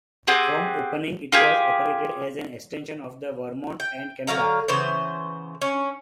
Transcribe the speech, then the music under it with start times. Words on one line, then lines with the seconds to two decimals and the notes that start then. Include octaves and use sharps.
From opening it was operated as an extension of the Vermont and Canada.
0.27 C4 G4 G#4 F#5
1.32 F4 G4 G#4
3.80 G5
4.27 D3 F#3 F5 A#5
4.68 C#3 E3 B3 C5
5.62 C#4